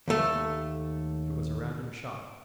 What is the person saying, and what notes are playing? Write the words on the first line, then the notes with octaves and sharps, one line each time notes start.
It was a random shot.
D#2 A3